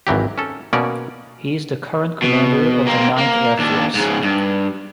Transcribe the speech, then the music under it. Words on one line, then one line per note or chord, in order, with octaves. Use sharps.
He is the current commander of the Ninth Air Force.
G#1 E3 F#3 G4
C#4 A4
B2 A#3 C#4 D5
B2
A#3 C4
A#3
D#2 D4
G#2 C#3
G2